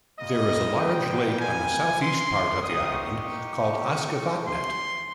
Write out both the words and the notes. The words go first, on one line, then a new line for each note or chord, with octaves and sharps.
There is a large lake on the southeast part of the island, called Askevatnet.
G3 A#3 F4 D#5
G5
G#5
C6
A#3 D#4 G4 D#6
C#6
C6